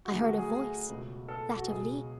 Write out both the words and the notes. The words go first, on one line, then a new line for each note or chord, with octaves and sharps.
I heard a voice, that of Leo.
F#4
D2 D3 F#3 G#4
F#4
G#4
G#4
C#2 B2 F#3
A4
F#4
C#2 B2 F#3 G#4